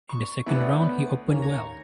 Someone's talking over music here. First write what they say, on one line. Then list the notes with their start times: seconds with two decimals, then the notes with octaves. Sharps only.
In the second round he opened well.
0.09 C#6
0.47 D2 E4 B4 C#5 D5 F#5
0.81 B3
1.27 D#2 A#3 C#4
1.42 A#5 C#6 G#6